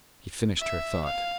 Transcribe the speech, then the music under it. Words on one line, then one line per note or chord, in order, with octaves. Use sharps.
He finished her thought.
E5
F5